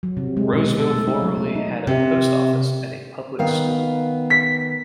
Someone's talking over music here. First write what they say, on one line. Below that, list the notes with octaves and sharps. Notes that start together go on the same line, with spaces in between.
Roseville formerly had a post office and a public school.
F#3
C3
G#3
B2
A4
A3
D#4
F#3
A3
D#4
C3
D#3 B3 F5
B6